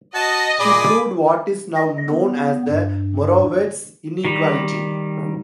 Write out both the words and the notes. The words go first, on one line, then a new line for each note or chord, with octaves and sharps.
She proved what is now known as the Morawetz Inequality.
F#4 D#5 A5
A#2 G#4 D5 B5 D6 D#6
D#5
B3
G2
D#3 G3